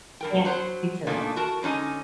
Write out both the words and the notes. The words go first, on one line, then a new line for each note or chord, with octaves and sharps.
can't picture it.
G2 A#4 G5
F#3 C5 F#5
A#2 C#3 A3 A#3 D4 D#4
F#4 A#4 A5
G#2 D3 C#4 D#4 D#5